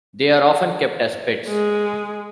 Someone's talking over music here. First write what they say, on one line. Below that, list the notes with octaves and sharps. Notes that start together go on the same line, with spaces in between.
They are often kept as pets.
G#3